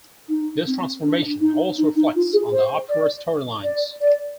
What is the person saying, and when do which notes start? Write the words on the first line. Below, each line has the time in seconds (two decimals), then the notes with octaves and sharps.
This transformation also reflects on the opera storylines.
0.29 D#4
0.66 C4
1.04 D4
1.40 D#4
1.78 D#4
1.96 D#4
2.15 F4
2.33 G#4
2.52 C5
2.89 D5
3.63 D5
4.00 D5